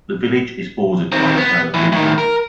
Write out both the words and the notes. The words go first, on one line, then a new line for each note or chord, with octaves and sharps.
The village is bordered by the Town of Lincoln.
D#3 C4
B3
A2 E3
A2 D#3
A#4